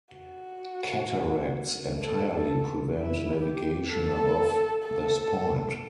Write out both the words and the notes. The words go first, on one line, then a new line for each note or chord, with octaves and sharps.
Cataracts entirely prevent navigation above this point.
F#4
A4
A4
E4
G4
A4
A4